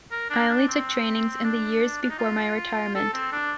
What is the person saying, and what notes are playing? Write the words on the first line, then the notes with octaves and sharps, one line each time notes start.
I only took trainings in the years before my retirement.
A#4
D4
D4
C4
D4
D4
D#4
F4
A4
C4
D4